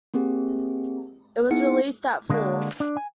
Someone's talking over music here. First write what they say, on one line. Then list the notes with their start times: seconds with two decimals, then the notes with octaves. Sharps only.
It was released that fall.
0.14 A#3 C4 G4 G#4
1.50 B3 D#4 E4 G#4 F#5 C#7
2.30 D3 G#3 A#3 B3 D4 F#4
2.80 D4
2.97 G#5